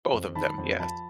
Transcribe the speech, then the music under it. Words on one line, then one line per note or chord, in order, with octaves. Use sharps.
Both of them. Yes.
F2
D#3 A5 B5
F2
F3 A5 B5